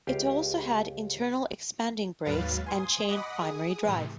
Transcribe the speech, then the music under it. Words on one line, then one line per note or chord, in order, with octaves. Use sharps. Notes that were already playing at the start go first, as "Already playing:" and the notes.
It also had internal expanding brakes and chain primary drive.
C#2 F4 G4 F5
D#2 G#2 F#3 B4 F5 A6
G#5 C6 D#6
D#5 F#5 B5 D6 D#6
G#4 D#6
A2 C3 E3